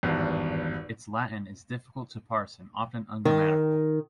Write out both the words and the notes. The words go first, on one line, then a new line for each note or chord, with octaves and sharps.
Its Latin is difficult to parse and often ungrammatical.
G#1 E2 G2
D#3